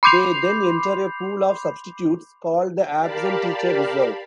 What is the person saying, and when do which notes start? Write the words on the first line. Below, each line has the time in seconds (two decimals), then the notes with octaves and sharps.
They then enter a pool of substitutes, called the Absent Teacher Reserve.
0.03 B5 C6 D6 G6 C7 F7
2.97 G4 A#4 D5 F5 A5 B5